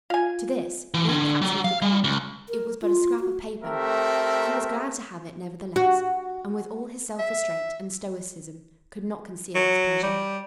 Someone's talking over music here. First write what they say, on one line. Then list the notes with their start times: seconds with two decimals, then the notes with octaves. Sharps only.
To this great Captain of the guard it was but a scrap of paper. He was glad to have it nevertheless, and, with all his self-restraint and stoicism, could not conceal his pleasure.
0.10 F4 F5 G#5
0.94 E3
1.09 D3
1.42 F#3
1.65 F5
1.82 G3
2.04 C#2
2.49 A#4
2.82 F4
3.20 F#4
3.64 A3 C4 G4 A#4 E5
5.76 F#4
7.19 E5
9.55 F#3
10.03 G3